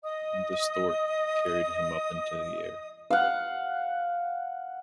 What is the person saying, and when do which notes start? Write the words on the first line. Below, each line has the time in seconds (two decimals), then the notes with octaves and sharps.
The Stork carried him up into the air.
0.04 D#5 D#6
3.10 F5 F#5